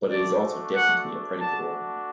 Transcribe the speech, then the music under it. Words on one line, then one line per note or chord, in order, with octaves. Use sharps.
But it is also definitely a predicate over "him".
A3 D4 F#4 D5
F#5
A3 D4 F#4 A5